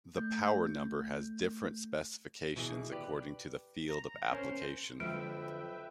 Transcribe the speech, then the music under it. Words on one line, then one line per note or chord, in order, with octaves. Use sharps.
The power-number has different specifications according to the field of application.
A3 G6
B2 E3 G#4
G4 B4 D5
A#5
C#4 A#4 C5
F2 D3 F3 F#3 G#3 B4 E5 G5